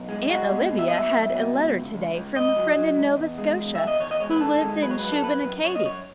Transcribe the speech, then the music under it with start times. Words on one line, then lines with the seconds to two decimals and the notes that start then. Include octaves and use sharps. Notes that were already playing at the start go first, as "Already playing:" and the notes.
Aunt Olivia had a letter today from a friend in Nova Scotia, who lives in Shubenacadie.
Already playing: B1
0.09 G#3
0.29 G#3 F#4
0.51 B2
0.71 B2
0.79 E5
0.88 D#5
0.92 B1 E5
1.12 B1
1.33 B2
1.53 C#2
1.74 C#2
1.95 C#2
2.14 C#2
2.36 C#2 D#5
2.56 F#3
2.76 F#3
2.96 C#2
3.17 E2
3.38 G#3
3.59 E2
3.75 E2 E5
3.87 D#5
3.99 E2 C#5
4.11 D#5
4.20 G#3 C#5
4.31 B4
4.40 D#3 A4
4.61 G#3
4.82 F#3 B4
4.91 C#5
4.99 F#2 B4
5.12 A4
5.23 F#2 B4
5.43 F#2
5.64 F#2 C#5
5.75 D#5
5.85 F#2 C#5